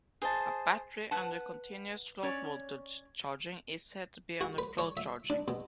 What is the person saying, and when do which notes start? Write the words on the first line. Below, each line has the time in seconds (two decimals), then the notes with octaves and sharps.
A battery under continuous float voltage charging is said to be under float-charging.
0.22 G#4 C5 D#5 A5
1.11 B4 F#5 A5
2.23 C#4 C#5 D5
4.41 F#4
4.58 B4
4.78 C#5
4.97 E5
5.30 D4
5.48 B2